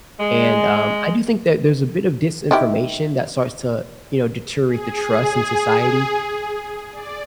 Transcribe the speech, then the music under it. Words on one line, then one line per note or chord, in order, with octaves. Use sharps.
and, um, I do think that there's a bit of disinformation that starts to, you know, deteriorate the trust in society
G#3
D#3 E4 G4
G#4
D5